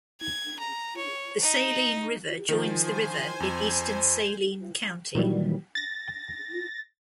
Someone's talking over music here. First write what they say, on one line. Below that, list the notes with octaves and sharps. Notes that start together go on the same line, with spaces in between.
The Saline River joins the river in eastern Saline County.
G#6
A#5
C#5
D#4
D#3 F3 C5 G#5
F2
A#2 D#3 E3 F#3 G3
A6 A#6